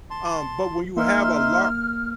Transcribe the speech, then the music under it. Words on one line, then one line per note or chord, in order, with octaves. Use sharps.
um, but when you have a lar
A5 C6
A#3 D#4 E5 C6 F6